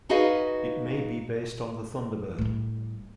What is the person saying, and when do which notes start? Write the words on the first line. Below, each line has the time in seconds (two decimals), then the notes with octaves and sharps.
It may be based on the thunderbird.
0.09 D#4 F#4 G#4 B4 D#5 F5
2.39 A2 G3